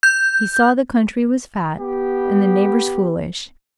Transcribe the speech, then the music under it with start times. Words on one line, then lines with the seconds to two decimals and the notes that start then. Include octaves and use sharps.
He saw the country was fat and the neighbours foolish.
0.03 G6
1.79 B3 G4